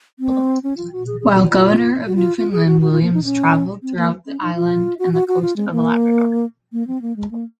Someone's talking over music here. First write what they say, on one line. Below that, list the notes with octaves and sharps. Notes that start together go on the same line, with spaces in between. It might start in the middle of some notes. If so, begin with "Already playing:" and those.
While governor of Newfoundland Williams travelled throughout the island and the coast of Labrador.
C4
C#4
F4
F#4
G#4
G#4
F#4
F4
F#4
F4
F4
G#4
F#4
F#4
F4
A#3
D#4
C#4
C4
A#3
C#4
D#4
F4
F#4
F#4
F#4
F4
G#3
A#3
A#3
C4
A#3
G#3
A#3